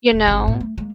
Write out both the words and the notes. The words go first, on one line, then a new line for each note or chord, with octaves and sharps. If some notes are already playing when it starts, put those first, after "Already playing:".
you know,
E1
G1 C3
A2
A3
G#3 A#3